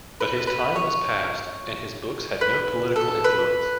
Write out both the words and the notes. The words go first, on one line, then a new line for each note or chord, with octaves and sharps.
But his time was past, and his books had no political influence.
B4
B4
C#5
B4
A4
B4